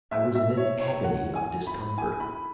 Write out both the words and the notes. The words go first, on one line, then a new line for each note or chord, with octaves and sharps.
'I was in an agony of discomfort.
E5
E5
C#5
C#5
F#5
G#5
B5
G#5
B5